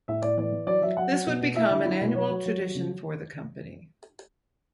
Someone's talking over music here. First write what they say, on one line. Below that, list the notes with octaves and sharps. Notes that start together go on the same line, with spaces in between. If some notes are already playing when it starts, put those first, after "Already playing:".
This would become an annual tradition for the company.
A2 E5
A2 D5
E3 D5
E3
F#3 D5
F#3 E5
F#3 F#5
F#3
B2
B2
E4 E5
D3
E4
B2
F#3 C#5
F#3
F#3
F#3
C#3